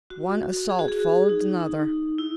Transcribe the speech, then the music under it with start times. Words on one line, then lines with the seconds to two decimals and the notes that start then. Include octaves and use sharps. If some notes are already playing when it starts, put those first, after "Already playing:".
One assault followed another.
0.10 F#4
0.69 G#4
0.79 F#4
0.88 G#4
1.29 D#4
1.60 D#4
2.18 E4